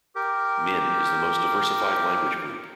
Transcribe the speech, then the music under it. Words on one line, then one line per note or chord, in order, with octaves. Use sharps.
Min is the most diversified language group.
G4 A#4